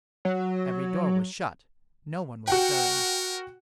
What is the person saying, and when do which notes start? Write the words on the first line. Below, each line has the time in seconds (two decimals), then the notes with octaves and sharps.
Every door was shut, no one was stirring.
0.25 F#3
2.48 F#4 A#4 F#5 G5